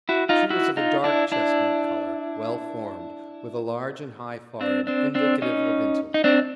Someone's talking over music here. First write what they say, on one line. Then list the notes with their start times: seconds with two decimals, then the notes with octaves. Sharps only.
She was of a dark chestnut color, well-formed, with a large and high forehead, indicative of intellect.
0.09 E4 F#4
0.29 D#4 F4
0.50 E4 F#4
0.77 D#4 F4
1.04 D4 E4
1.32 D4 E4
4.61 C4 D4
4.87 C4 D4
5.15 C4 D4
5.42 C#4 D#4
6.14 D#4
6.24 C4 D4